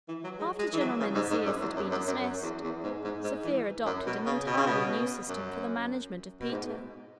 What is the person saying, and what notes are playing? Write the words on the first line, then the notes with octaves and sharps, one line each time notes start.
After General Menesius had been dismissed, Sophia adopted an entirely new system for the management of Peter.
E3
F#3
G#3
G#3
E3
F#3
C#3
G#2
G#2
F#2
E2
F#2
F#2
F#2
F#2
E2
E2
G#2
G#2
G#2
E3
F#2
B2
C#3
B2
C#3
B2
F#2
B2
G#2